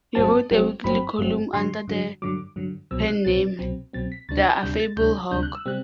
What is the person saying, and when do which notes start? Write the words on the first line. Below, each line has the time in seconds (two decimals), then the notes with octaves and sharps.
He wrote a weekly column under the pen-name "The Affable Hawk".
0.15 G1 G2 F#3 C4 A5
0.51 G1 G2 F#3 C4
0.84 G1 G2 F#3 C4 B5
1.18 G1 G2 F#3 C4
1.53 G2 D3 F#3 C6
1.88 G2 D3 F#3
2.22 G2 D3 F#3 D6
2.56 G2 D3 F#3
2.91 C2 B2 F#3 C4 E6
3.08 F#6
3.25 C2 B2 F#3 C4 A6
3.59 C2 B2 F#3 C4
3.93 C2 B2 F#3 C4 A6
4.12 B6
4.29 D2 C3 G3 D4 A6
4.45 A6
4.63 D2 C3 G3 D4 G6
4.80 A6
4.96 D2 C3 G3 D4 G6
5.31 D2 C3 G3 D4 G6
5.43 F#6
5.55 E6
5.66 C3 G3 C4 F#6